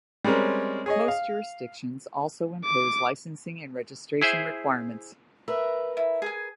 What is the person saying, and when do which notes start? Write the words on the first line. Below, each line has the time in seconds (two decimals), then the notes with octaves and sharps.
Most jurisdictions also impose licensing and registration requirements.
0.24 G3 G#3 C4 C#4 A#4
0.86 G#4 C#5 D#5
1.08 F5
2.65 D6
4.22 E4 G#4 C5 E5
5.48 A#4 B4 E5
5.97 E4
6.22 G#4 G#5